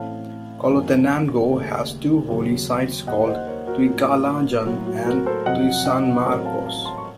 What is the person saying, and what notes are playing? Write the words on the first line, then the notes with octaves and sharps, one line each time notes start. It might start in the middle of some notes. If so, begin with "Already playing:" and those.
Colotenango has two holy sites called Tuikalajan and Tuisanmarcos.
Already playing: A1 A2 A3 C4 F5 A5
F#2 D#3 A#3 C#4
D#2 C#3 A3
D#2 C#3 F#3
D#2 D#3 A#3 D#5 F#5
C5 D#5
A#4 C#5
F#4 A#4
A2 F3 A#3
A2 F#3 A#3 F#4
F#4
F#4 A#4
A4 C5
F2 C3 F#3 D#5 F#5
D#5 F#5
A1 A2 F#3 A3 C4 A#4 C#5
F5 A5
F5 A5
A5 C6
C#6